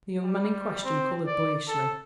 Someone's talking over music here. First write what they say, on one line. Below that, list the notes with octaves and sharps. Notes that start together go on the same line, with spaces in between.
The young man in question coloured boyishly.
G3
C4
D5
A4